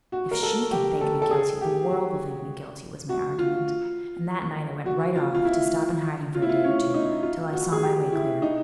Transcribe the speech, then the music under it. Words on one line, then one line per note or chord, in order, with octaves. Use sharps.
'If she can think me guilty, the world will think me guilty,' was my argument; and that night I went right off, to stop in hiding for a day or two, till I saw my way clear.
F#4
A#4
A4
G4
A4
A4
G#4
G4
F#4
F#4
F4
F#4
F4
F4
E4
F4
E4
F4
C#4
D#4
F4
F#4
G#4
G4
E4
D#4